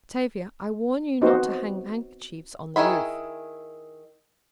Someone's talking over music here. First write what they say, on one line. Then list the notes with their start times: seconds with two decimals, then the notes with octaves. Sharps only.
Tavia, I warn you not to hang handkerchiefs on the roof.
1.21 B3 C4 D#4 F#4 C5
2.76 D#3 E4 G#4 B5